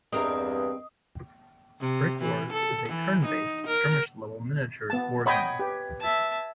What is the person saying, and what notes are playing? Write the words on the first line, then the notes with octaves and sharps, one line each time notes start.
"BrikWars" is a turn-based skirmish-level miniatures wargame.
E2 G2 C4 A#4 D#5
C3
E3
A4
E3
D#4
A#4
B3 A5
C#5 D#5 F#5 G5 B5 G#6
G4 B4
E5 A5